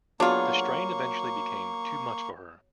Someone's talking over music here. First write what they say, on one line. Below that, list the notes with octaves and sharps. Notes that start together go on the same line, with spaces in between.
The strain eventually became too much for her.
F#3 A#3 B3 D4 F4 G#4 C#6